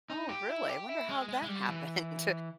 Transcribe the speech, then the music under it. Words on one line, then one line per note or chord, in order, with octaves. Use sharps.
Oh, really? Wonder how that happened.
D#4
G4
E4
G4
E4
G#3
G#3
G#3
G3
E3